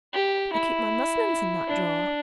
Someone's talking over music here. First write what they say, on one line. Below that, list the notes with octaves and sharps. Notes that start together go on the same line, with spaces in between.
I keep my muslins in that drawer.'
G4
E4
D4